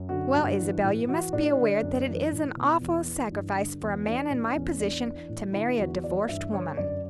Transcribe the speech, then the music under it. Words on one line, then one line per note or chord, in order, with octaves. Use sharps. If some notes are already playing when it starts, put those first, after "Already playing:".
"Well, Isabel, you must be aware that it is an awful sacrifice for a man in my position to marry a divorced woman."
Already playing: F#2
D3 F#4
G2
E3
A2
E3 F#4
A2 D4
D3
F#2
E3
A2
B2
E2
E3
G2
D3
E2
E3 D4
A2 D4
E2 C#4
E2 D4
E3
A2
D3 E4
E2 F#4
E3 D5
G2 E5
D3 C#5
F#2 D5